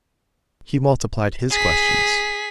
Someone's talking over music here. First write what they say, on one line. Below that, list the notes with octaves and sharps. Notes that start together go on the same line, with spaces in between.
He multiplied his questions.
G#4 B6